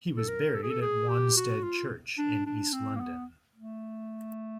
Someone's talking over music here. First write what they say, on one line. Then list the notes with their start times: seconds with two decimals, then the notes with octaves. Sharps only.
He was buried at Wanstead Church in east London.
0.17 A4
0.28 A#4
0.54 A4
0.63 G#4
0.70 A4
0.81 G#4
1.09 G4
1.37 F#4
1.63 F4
2.18 D4
2.46 D4
2.73 C4
2.96 A#3
3.00 B3
3.55 A3